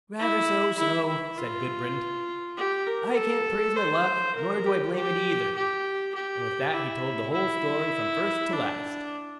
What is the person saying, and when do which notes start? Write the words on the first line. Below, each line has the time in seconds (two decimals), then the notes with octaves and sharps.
'Rather so so', said Gudbrand, 'I can't praise my luck, nor do I blame it either', and with that he told the whole story from first to last.
0.19 E4
0.78 E4
1.08 E4
1.38 F4
2.57 G4
2.87 A#4
3.17 A4
3.76 C5
4.35 A#4
4.66 G4
4.95 G4
5.55 G4
6.14 G4
6.73 E4
7.33 E4
8.53 D4